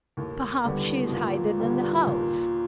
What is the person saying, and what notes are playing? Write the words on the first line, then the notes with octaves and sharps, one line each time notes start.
"Perhaps she is hiding in the house."
D#2 A2
D3 G3 B3
B2
D#2 A#2
D3 G3 B3
D#2